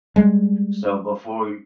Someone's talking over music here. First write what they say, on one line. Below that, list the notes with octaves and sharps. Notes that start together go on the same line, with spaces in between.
So, before y
G3 G#3